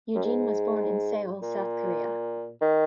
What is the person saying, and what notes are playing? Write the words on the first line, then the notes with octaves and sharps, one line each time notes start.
Eugene was born in Seoul, South Korea.
F#2
G#2
A#2
D#3